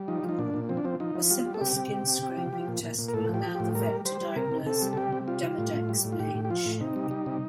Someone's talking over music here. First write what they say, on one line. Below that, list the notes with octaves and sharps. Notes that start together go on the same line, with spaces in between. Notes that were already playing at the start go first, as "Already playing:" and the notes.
A simple skin scraping test will allow the vet to diagnose demodex mange.
Already playing: G3
F3 D#4
F3
D#4
A#2 D4
A#2
F3 C4
D4
F3 C4
F3 D#4
F3
G3 F4
G3
A4
C3 G4
C3
C3
C3
C3
F3
F3
A#2
A#2
A#2
A#4
A2 A4
F3 G4
F3
A2 G4
G3 A#4
G3
G3 C5
G3
C3 A#4
C3
C3 A4
G3
A4
C3 G4
C3
G3 F4
G3
A2
A2
G3
A2
F4
A2 G4
A2
G4
F3 F4
A2
C3 D#4
G3
G3
C3